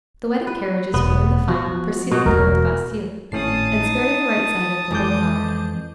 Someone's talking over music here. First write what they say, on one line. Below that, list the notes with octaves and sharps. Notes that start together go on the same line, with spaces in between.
The wedding carriages were in the file proceeding towards the Bastille, and skirting the right side of the Boulevard.
B4
E1 B3
F3 F#4
B2 F#4
E1 E2 A3 A#4
G#1 A2 C#4 A5 D#6 C7
D#4
F2 E3 G#3 D6 G6